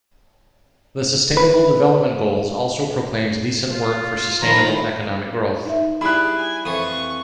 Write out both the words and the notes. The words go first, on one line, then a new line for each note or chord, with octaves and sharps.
The Sustainable Development Goals also proclaims decent work for sustainable economic growth.
B4
F4
D#3 F3 A#5 B5
D#4 E5
G3 E4 G#4 B5 F#6
G#5
F2 E3 C#6 D#6